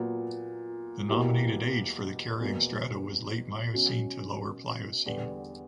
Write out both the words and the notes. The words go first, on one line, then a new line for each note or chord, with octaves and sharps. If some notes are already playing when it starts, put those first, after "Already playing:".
The nominated age for the carrying strata was late Miocene to lower Pliocene.
Already playing: A#2 F#3 B3
E2 B2 A#3 E4 G4
E2 B2 A#3
B2 F#3 C#4
E2 D3 G3 B3